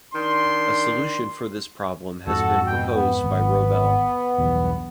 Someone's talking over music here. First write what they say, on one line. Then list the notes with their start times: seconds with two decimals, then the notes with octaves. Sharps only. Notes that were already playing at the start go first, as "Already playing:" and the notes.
A solution for this problem has been proposed by Roebel.
0.14 D#3 D4 C6
2.27 F2 G#2 F#4 A4
2.67 B2 G5
2.92 B3
3.24 G#1
4.38 B1 E2 G2